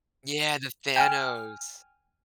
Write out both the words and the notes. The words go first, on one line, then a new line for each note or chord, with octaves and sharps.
Yeah, the Thanos.
G5 G#5 F6